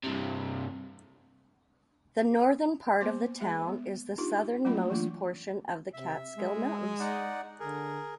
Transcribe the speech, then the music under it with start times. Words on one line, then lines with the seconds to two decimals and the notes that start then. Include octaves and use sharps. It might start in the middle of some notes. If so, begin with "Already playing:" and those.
The northern part of the town is the southernmost portion of the Catskill Mountains.
0.04 G2 C3
3.01 A#3 B3 C5 C6 D6
3.41 G#3 G#4 E5
3.68 B3
4.18 D4 D#4 F4 G4
4.65 F#3 A3 A#3 C#4 F4 B5
4.90 E3 A3 A#3 D4 F4
5.93 C3 E5
6.36 G#3
7.00 D#4 D5 F#5
7.60 D3 G#4 A#4